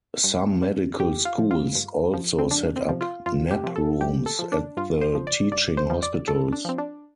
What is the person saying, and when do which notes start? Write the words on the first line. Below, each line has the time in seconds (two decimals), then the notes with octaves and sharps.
Some medical schools also set up nap rooms at the teaching hospitals.
0.24 G2
0.62 G3
1.00 G2 G4
1.25 F4
1.38 F3
1.51 F4
1.75 G2
2.14 F3
2.38 C4
2.51 F2 D4
2.76 C4
2.88 C3 F3
3.01 F4
3.26 F2 F4
3.51 G4
3.63 C3 F3
3.76 A4
4.01 G2 G4
4.26 A4
4.39 F3
4.52 D4
4.77 G2 F4
5.01 C5
5.15 F3
5.27 D5
5.52 G2 D5
5.77 C5
5.90 F3
6.03 D5
6.27 G2 A4
6.53 D4
6.65 F3 C4
6.78 D4